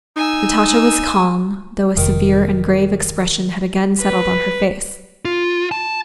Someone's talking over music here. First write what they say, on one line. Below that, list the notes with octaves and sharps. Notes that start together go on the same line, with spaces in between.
Natasha was calm, though a severe and grave expression had again settled on her face.
D#4 G#5 E6
F1 D#3
B4
F4
A5